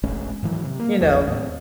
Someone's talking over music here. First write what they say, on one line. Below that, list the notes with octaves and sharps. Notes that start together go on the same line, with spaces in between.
you know?
E1 A1 G#3 C#4
G#2 D#3 E3 F#3
C3
A#3
A1 E2 F3 G#3
D#2 A2 C4